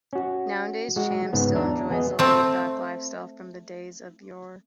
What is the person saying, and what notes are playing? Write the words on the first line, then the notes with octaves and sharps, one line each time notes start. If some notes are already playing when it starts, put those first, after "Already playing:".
Nowadays, Cham still enjoys the laid-back lifestyle from the days of yore.
C#4 F#4
G#3 F#4
G#2 C#3 B3
E2 D4 E5 A#5
B3 G#4 D#5
A3 C4